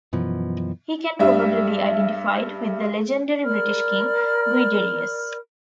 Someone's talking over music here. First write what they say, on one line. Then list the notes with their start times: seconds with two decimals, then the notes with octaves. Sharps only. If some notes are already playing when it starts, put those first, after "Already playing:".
He can probably be identified with the legendary British king Guiderius.
0.13 F#2 B2 E3 F3
1.19 G2 G3 E5
3.44 A#4 D5 B5 F6